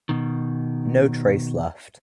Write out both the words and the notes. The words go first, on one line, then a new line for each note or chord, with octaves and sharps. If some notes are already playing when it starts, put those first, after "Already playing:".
No trace left.
B2 D#3